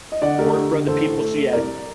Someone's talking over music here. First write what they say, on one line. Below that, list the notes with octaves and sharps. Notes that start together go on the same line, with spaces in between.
work for other people, so yeah
D#5
D3 D5 F#5
A3 G4 A#4
D3
D3
A1 A4 C5
A2
A3
A3
C2 A#4 D5